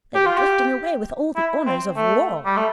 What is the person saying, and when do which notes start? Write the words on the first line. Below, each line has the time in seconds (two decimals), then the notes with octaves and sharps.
They were drifting away with all the honours of war.
0.15 G4
0.26 F4
0.38 G4
1.37 E4
1.67 C4
1.97 A3
2.46 G3
2.57 A3